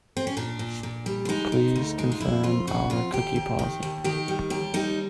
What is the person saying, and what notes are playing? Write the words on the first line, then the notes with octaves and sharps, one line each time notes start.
Please confirm our cookie policy.
C4
C#4
A#2 D4
A#2
A#2
G3
D4
G#3 D#4
G#3
D2
G#3
F4
F2 E4
F2 F4
C#3 F#4
F2 F4
D#2 G4
D#2
D#3
D#2
D#3 G4
G3
D#2 G4
G3 D#4